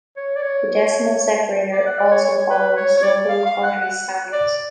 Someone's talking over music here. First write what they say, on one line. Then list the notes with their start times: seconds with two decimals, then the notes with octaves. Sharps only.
The decimal separator also follows local countries' standards.
0.17 C#5
0.36 D5
0.42 C#5
1.72 D5
1.86 F#5
1.98 D5
2.11 C#5
2.25 C#5
2.50 B4
2.77 C#5
2.97 C#5
3.03 D5
3.29 F5
3.46 F5
3.63 F#5
3.81 F#5
4.33 D5